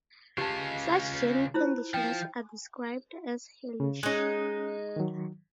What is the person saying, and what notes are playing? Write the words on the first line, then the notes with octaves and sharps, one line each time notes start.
Such journey conditions are described as "hellish".
C#3 F4 G4 A5
E4 F4 C5
F3 G5
C#3
G#3 C#4 D#4 F#6
D#3 F#3